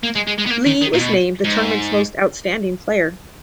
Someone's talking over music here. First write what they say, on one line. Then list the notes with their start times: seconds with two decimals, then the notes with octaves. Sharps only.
Lee was named the tournament's most outstanding player.
0.03 A#3
0.15 G#3
0.27 G#3
0.38 G#3
0.46 B3
0.51 A#3
0.66 D#3
0.82 D#3
0.94 A#2
0.98 B2
1.44 G#2